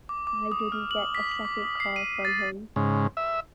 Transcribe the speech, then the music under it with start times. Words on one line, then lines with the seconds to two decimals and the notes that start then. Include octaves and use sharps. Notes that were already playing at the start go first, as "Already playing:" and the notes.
I didn't get a second call from him'.
0.09 D6
0.27 D6
0.52 D#6
0.72 F6
0.91 F#7
1.15 B6
1.32 F#7
1.45 D6
1.64 D#6
1.80 C7
1.96 D#7
2.25 A6
2.76 G#2 C#3
3.17 E5